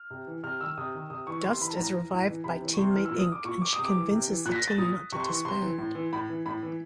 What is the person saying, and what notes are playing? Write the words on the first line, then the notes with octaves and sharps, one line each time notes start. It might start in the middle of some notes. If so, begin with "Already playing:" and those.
Dust is revived by teammate Ink and she convinces the team not to disband.
Already playing: F6
C3
E3
C3 F6
D#3 E6
C3 D#6
D#3
C3 D#6
E3 C#6
C3 C6
E3 B5
A5
A2 A#5
E3
A2
E3
C3 B5
E3
C#6
C3 C6
E3 F6
E6
A#2
D#6
D6
A#2 C#6
D6
D#6
C3
D6
E3
C3
E3
A#2 F#6
B6
A#6
A6
A#2 D#6
C3 C#6
C6
E3 C#6
C3 C6
E3
A2
E3
A2 B5
E3
A2 B5
E3